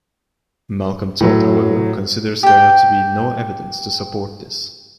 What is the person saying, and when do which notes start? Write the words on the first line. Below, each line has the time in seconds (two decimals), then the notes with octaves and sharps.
Malcolm Todd however considers there to be no evidence to support this.
1.21 A2 F#3
2.43 G4 G5